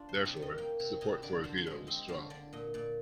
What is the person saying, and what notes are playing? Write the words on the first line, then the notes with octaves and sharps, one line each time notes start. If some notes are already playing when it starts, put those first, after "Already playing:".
Therefore, support for a veto was strong.
Already playing: D4 F4
C5
C3
D5
D#3
D#5
A#3 G5
C3
C3 D#5
D3 D5
D3 C5
F5
G#3 D#5
C4 D#5
D3 F5
D3 D5
A#2 D#5
A#2 D5